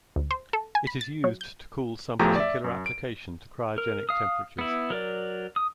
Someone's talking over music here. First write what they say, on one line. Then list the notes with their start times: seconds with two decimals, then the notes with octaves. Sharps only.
It is used to cool some particular application to cryogenic temperatures.
0.16 D2
0.31 C5
0.53 A4
0.75 G#5
0.87 B5
1.01 A6
1.24 F#3
1.41 G6
2.19 A1 E2 F3 A3 G4 A#5
2.35 D5 E5
2.64 F#2
2.86 D7
3.78 A#4
4.09 F5 D#6
4.59 B3 E4
4.90 F#3 A#4 D5
5.56 D#6